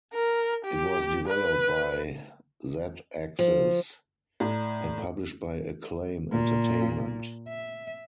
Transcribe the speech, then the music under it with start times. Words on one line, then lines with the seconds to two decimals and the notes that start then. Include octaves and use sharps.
It was developed by Z-Axis and published by Acclaim entertainment.
0.13 A#4
0.64 G4
1.27 B4
3.39 F3
4.40 A2 D5 A#5
6.32 A#2
7.49 E5